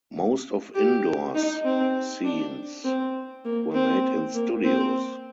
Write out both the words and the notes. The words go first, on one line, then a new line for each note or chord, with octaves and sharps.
Most of indoors scenes were made in studios.
G4
D#4
C4
D4
C4
A#3
C4
A#3
C4